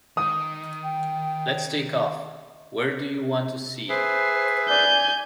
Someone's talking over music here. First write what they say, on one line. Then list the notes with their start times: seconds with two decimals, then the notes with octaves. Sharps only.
Let's take off. Where do you want to see?
0.17 D#3 D#6
0.83 G5
3.89 G#4 B4 C5 E5 C7
4.69 D5 G#5 G6